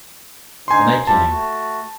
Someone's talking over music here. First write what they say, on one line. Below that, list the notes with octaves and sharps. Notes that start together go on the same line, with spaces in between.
The night came.
D3 D#4 C5 G#5 C6
E4 F4 G4 A5
A3 F#4